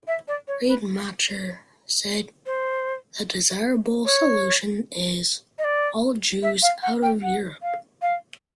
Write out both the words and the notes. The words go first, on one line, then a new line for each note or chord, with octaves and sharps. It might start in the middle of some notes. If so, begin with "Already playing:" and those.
Rademacher said: "The desirable solution is: all Jews out of Europe".
E5
D5
C#5
B4
C5
C#5
D#5
D5
E5
F5
F#5
G5
F#5
F5
F5